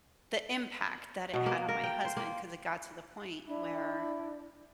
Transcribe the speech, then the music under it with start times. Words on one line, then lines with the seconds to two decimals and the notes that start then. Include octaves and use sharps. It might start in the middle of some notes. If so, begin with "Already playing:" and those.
the impact that it had on my husband 'cause it got to the point where
1.34 B2
1.46 A#3
1.69 A#4
1.84 G5
2.05 C5
2.17 A#3
3.48 D4 E4